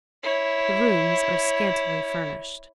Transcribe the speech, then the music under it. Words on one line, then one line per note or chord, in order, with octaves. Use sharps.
The rooms are scantily furnished.
E4 C#5